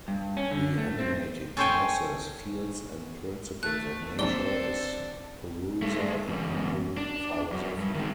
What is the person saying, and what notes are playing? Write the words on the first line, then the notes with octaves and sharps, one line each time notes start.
The animating causes, fields and principles of nature is Purusa in Hindu philosophy.
G2
C#4
D3
A3
C4
C#4 A4 C5 C#5 G5 G#5
A3 F#6
A#1 G#2 C4 D4 A4 D5 D6 G7
G#3 A3
E2 G#2
D4
F#2
G2
D#3 G#3